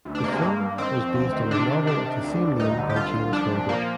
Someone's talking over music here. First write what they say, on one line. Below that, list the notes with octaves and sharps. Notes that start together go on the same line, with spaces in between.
The film was based on the novel of the same name by James Herbert.
D2
D4
C3 A#3
G#3
G2 A#3
G2
D#3 C4
F2
D2
D#3
C3 D4
C3
D#3 D4
D#3
D2
D2
G2 D#4
D3
G4
C2 F4
C2
F3 D4
A#2
F3 A#3